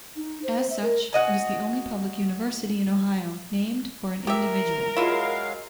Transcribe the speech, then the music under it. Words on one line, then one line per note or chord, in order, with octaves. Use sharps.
As such, it is the only public university in Ohio named for an individual.
D#4
C5
E5
A#4
F#4 D#5 G#5
G4 A#4 E5
F#3 G#3 E4 F4 F5